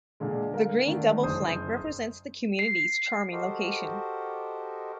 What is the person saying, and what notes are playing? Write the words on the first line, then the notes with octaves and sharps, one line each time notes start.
The green double flank represents the community's charming location.
A#2 D3 G#3
A#4 F5
D3 D#3 A3
F#1 C5 D#6
C7
F#4 G4 A4 A#4 C5 D#5